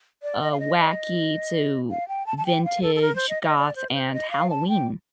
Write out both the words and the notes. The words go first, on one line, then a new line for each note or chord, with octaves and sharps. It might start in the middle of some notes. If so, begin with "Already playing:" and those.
uh, wacky to vintage, goth, and Halloween.
D5
D#5
F5
D#5
D#5
F5
G5
A5
A5
G5
F5
A4
A4
A#4
C5
D#5
D#5
D5
C5
A#4
C5
D#5
F5
A5
G5